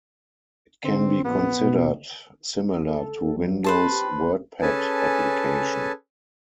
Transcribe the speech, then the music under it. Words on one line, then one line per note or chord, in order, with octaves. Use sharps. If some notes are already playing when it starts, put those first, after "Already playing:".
It can be considered similar to Windows' WordPad application.
D3 C4
A#1 B3
B2
A4
F#3
G#4 B4 C5 A5
G4
B3
C#4 G#4 A4 B4 G#5 A5